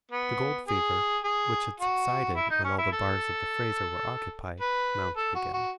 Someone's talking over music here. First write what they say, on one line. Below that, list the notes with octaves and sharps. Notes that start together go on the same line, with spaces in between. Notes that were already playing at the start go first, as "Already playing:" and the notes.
The gold-fever, which had subsided when all the bars of the Fraser were occupied, mounted again.
B3
G#4
G#4
F#4
E4
D#4
C#4
E4
A4
B4
A4
F#4
F#4